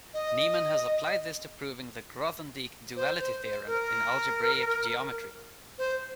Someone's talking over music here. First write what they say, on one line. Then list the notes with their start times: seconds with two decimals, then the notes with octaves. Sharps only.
Neeman has applied this to proving the Grothendieck duality theorem in algebraic geometry.
0.14 D#5
2.96 C5
3.19 C5
3.43 C5
3.67 A#4
5.78 C5